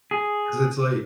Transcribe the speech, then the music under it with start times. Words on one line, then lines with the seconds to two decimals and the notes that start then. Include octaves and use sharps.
'Cause it's, like
0.11 G#4